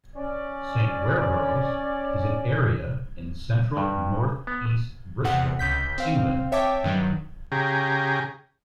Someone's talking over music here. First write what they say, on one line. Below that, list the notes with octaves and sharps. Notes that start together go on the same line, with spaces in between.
Saint Werburgh's is an area in central north-east Bristol, England.
C#4 D5
G2
B3
E2 C3 F#5
C#2 G6 B6
C4 F5
C#5 E5 G5 A5 D6
G2 D#3 F#3
C#3 G4 G#4 A#5